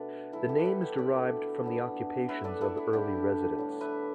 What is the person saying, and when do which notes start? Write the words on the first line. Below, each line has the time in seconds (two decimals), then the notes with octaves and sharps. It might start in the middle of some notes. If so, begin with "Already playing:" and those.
The name is derived from the occupations of early residents.
Already playing: B2 A3 B3 D4 A4 B4 D5 E5
0.32 E3 G3 B3 E4 A4
0.49 G4
0.60 B4
0.65 E4 A4
0.82 G4
0.98 B2 A3 D4 A4 D5
1.64 E3 B3 D4
2.28 E3 A3 D4 B4 E5
2.44 A4 D5
2.61 E4 A4
2.77 E4
2.93 D3 G3 D4 G4
3.58 A2 G3 D4
3.81 B4 E5